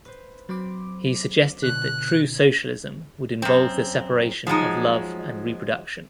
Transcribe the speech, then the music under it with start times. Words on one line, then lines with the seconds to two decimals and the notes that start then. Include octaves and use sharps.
He suggested that true socialism would involve the separation of love and reproduction.
0.05 B4 C5
0.49 F#3 C4 C5 B5 C6 D6
1.63 B2 D3 F#6
3.42 F#2 C4
4.47 F3 F#3 G#3 D#4